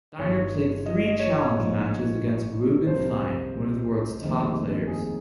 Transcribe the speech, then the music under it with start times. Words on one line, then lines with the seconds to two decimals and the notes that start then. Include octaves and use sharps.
Steiner played three challenge matches against Reuben Fine, one of the world's top players.
0.18 G1 G2 D#3 G3 C#5
0.86 D#5
1.06 D#5
1.19 C#5
1.53 A#1 G#2 F3 G#3
2.87 C2 C3 F3 C5
4.21 F1 D#2 D#3 G#3 C4
4.87 G#4